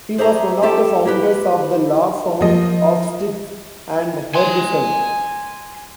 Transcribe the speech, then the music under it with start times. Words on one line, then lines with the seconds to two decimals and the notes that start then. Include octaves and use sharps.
He was one of the founders of the law firm of Stites and Harbison.
0.18 G#4 C5 D5 E5 G5 A#5
0.62 G3 F4 G4 A4 G5 A5
1.05 A#3 E4 G4 B4
2.41 F3 A#3 D#5
4.35 G#5 C6